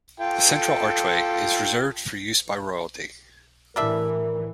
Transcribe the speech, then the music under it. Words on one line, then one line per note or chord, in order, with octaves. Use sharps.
The central archway is reserved for use by royalty.
F4 A4 G5
A2 E3 G3 D4 A#4 E5